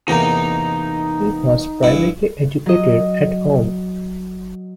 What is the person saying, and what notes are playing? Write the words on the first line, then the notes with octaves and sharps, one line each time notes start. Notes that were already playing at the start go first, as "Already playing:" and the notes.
He was privately educated at home.
E2 C3 A#3 D#4 A#5
G2 E4
F#3 D#5